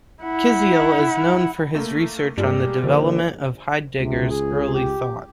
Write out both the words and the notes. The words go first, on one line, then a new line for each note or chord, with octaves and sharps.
Kisiel is known for his research on the development of Heidegger's early thought.
E4 F#5
A3 A#3
G2 G3 G#3 A#3 G4
A#1 D3
C#2 C3
G#4
G4